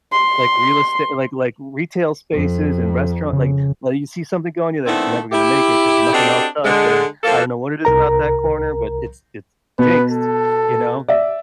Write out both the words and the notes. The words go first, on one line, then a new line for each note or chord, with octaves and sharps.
Like, real estate like like, retail spaces and restaurant. Like like, you see something going, you're like, "It's never gonna make it 'cause nothing else does there. I don't know what it is about that corner, but it's it's jinxed," you know?
C6
F2
C#3
D#3 A3 B3 C4 D4 E4
E4 G4
C4 D4 F#4 G4 A4 D#5
D3 G#3
F3 A#3 A4
C2 A#4 A#5
B2 B4
A4
D5 E5